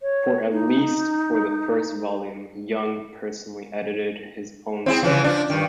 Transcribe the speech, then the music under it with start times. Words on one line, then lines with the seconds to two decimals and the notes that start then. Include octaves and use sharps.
For at least for the first volume, Young personally edited his own sermons.
0.02 C#5
0.51 D#4
4.86 C4 E4 G#4
5.03 C#3 E3 F3
5.24 F3 D4
5.50 G2 D#3